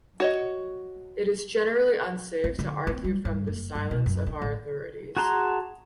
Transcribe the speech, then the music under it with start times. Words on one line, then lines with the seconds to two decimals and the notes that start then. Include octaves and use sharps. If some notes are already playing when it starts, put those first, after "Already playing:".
It is generally unsafe to argue from the silence of our authorities.
0.20 F#4 C#5 D#5
2.44 C4
2.59 D3
2.87 C4
3.04 G3
3.25 G2
3.47 F#1
3.75 G2
3.91 B2
4.06 F#2
4.27 D4
4.42 A1
5.17 F#4 G#4 A5 A#5 C6